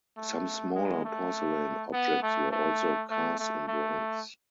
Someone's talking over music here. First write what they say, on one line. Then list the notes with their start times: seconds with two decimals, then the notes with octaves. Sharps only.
Some smaller porcelain objects were also cast in bronze.
0.17 A3
0.75 G#3
1.05 A3
1.93 B3
2.22 A3
2.52 A3
3.10 A3
3.39 A3
3.68 A3